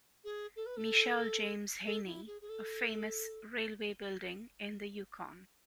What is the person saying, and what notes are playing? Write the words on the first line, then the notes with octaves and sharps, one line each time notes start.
Michel James Heney a famous railway building in the Yukon.
G#4
A4
B4
A4
A4
E4
G#4
G#4
A4